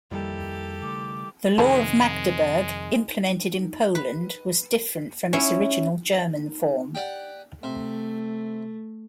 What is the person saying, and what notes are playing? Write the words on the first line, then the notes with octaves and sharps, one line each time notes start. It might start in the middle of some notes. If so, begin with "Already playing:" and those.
The Law of Magdeburg implemented in Poland was different from its original German form.
F2 D#3 G3 A#3 E4 G4 A4
C#3 A3 D6
F2 C3 D#3 G#3 G#4 A4 B4
B4
C#4 E4
G4 D5 F#5
C3 A3